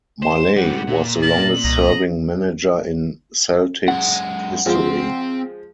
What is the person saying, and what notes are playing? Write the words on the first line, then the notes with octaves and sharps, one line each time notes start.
Maley was the longest serving manager in Celtic's history.
C5 E7
G#2 G3 F#5
A#2
A#4 A5 F#7
C2 D#5 A#5
F#2 G#3 F#5
F3 G#3 C4 C6